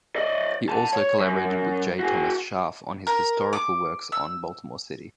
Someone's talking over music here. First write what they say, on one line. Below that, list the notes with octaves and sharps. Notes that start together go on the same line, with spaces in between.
He also collaborated with J. Thomas Scharf on his historical works on Baltimore City.
D5 D#5
F#5 A5
C#5
F#2
F#4 G#4
A#4
D6
E6